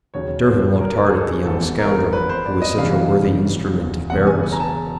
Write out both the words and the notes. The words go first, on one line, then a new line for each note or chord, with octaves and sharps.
Durham looked hard at the young scoundrel who was such a worthy instrument of Beryl's.
E1 D#2 C#3 F#3 C#5
C5
A#4
G#4
A4
G#1 G#2 E3 G3 B3 A4
A#4
B4
C5
D5
D#5
F1 E2 C#3 E3 G3 F5
E1 E2 C#3 F#5
G#5
G#5
A#5
A5